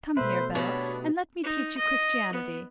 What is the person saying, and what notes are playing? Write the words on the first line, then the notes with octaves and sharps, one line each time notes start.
Come here, Bell, and let me teach you Christianity.
B2 A3 B4 C5 E5
B2 B3 D4 G4 C#5 B5
D#4
D#5
B3